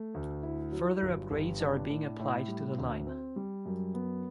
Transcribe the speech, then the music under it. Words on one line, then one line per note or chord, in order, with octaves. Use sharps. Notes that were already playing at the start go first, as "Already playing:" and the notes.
Further upgrades are being applied to the line.
Already playing: A3
D2
E4
F#3
G1
G1
D4
A2
A2
G3
D2
C4
G3
F#2
B3